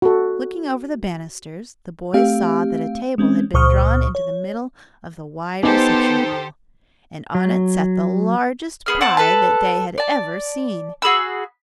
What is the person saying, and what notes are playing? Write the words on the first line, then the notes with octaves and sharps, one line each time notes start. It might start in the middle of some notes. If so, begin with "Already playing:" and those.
Looking over the banisters, the boys saw that a table had been drawn into the middle of the wide reception-hall, and on it sat the largest pie that they had ever seen.
F#4 A4
A3 C4 G4 F5
G#3 C4 C#4
C#2 A#2 C5 C#6 D#6 F6
C#5
B3 D#4 G4 A4 C5 G#5 D6
F#3
B3 G#4 F6
C4 F#5 A5
A4 B4 F5 A5
D5 A5
F#4 G#4 B5 E6